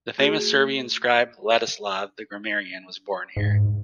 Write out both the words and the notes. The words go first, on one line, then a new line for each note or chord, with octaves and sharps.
The famous Serbian scribe Vladislav the Grammarian was born here.
A3 F#4 G#4
G#2